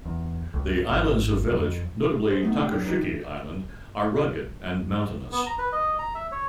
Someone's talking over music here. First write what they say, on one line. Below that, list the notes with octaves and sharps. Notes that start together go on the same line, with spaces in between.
The islands of village, notably Tokashiki Island, are rugged and mountainous.
E2
C#2
G#1
F2
G#4 C5
A3 B3 D#4
G#3 A3 D4 G4 F5 G5
F3 F#3 A#3 D4
D#4 G4 B4 D#5
E3
B3
A#5
B4
D#5
A#5
E5
C#5